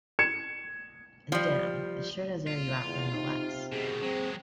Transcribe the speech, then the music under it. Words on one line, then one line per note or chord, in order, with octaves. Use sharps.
And damn, it sure does air you out nonetheless.
G#6 C#7 E7
F3 G3
F4
E2
C3 D#4
B2 D#3 G#4
F#3 G#3 C4